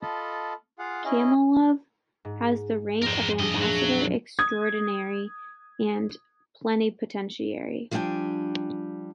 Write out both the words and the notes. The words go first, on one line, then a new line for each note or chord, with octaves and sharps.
Kamilov has the rank of Ambassador Extraordinary and Plenipotentiary.
F4 A4 D#5 A5 B5
F4 G#4 F5 F#5
C#4 E4 G#4 D#5
G#2
F2 G#2 A#4 C5
G2 D4 G#4 D#5
A#2 F#3 A3
D#6 G#6
F3 G3 D4 D#5 G5 G#5